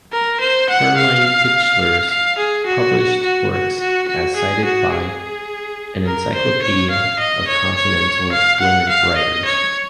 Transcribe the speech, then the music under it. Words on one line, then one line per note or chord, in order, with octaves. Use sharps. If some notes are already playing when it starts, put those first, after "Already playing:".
Karoline Pichler's published works as cited by "An Encyclopedia of Continental Women Writers".
A#4
C5
F#5
F5
F5
G#4
F#4
F#4
F#4
F#4
F#4
G#4
F#4
G#4
A#4
C5
C#5
F5
D#5
C#5
C#5
F5
F#5
F5
D#5
C#5